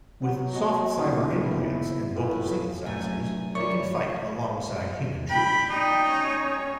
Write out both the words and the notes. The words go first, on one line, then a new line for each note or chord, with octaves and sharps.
With soft-cyber implants and vocal synthesizers they can fight alongside human troops.
F#3 B3 F#5
A#3 F#4 D#5 G#5 D#6
D#1 A2 C#3
B3 E4 B4 B5
A2 F4 B4
G2 F#3 A3 G#5
E4 A#4 C#5 D5 C#6
G5 B5
D#4 D5 G5
C#4 C#5